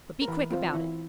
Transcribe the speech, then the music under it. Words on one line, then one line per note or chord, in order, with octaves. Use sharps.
"But be quick about it."
A#4
E3 B4
C4 F4
E3 E4